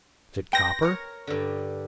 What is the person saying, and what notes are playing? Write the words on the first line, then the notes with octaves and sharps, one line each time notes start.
"Is it copper?"
B4 G5 C6 A#6
A#4 C#5
G2 D3